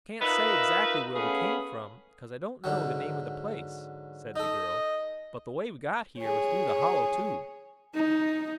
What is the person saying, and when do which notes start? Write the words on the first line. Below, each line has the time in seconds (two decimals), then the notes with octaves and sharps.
"I can't say, exac'ly where we came from, cause I don't know the name of the place," said the girl, "but the way we got here was through the Hollow Tube."
0.22 D#4 F4 A#4 B4 D#5 E5
1.15 A3 B3 C#4 G#4 F5 B5
2.64 G#2 D3 F#3
4.36 D#4 A4 D#5
6.18 G#4 C#5
7.94 D#4